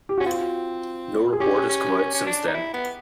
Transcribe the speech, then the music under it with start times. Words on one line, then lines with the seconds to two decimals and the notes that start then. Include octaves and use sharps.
No report has come out since then.
0.09 G4
0.18 C#4 F#4
0.26 C4 F4
1.33 G#4
1.40 C#4 G4
1.69 C#4
1.98 C#4
2.14 C#4
2.27 D4
2.47 D#4
2.55 E4
2.74 B3